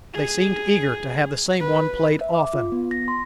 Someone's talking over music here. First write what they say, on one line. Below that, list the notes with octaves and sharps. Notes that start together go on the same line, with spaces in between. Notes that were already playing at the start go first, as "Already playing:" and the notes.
They seemed eager to have the same one played often.
G#4
B4
E5
D6
F4
B3
A#6
C6